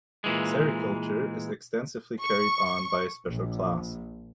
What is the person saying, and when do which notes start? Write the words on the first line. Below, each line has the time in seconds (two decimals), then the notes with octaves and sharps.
Sericulture is extensively carried on by a special class.
0.24 A#2 E3 G#3
2.23 C#6
3.28 A#1